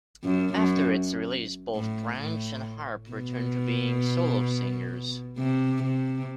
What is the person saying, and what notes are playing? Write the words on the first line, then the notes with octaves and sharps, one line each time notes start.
After its release, both Branch and Harp returned to being solo singers.
F#2
F#2
A2
A2
B2
C3
C3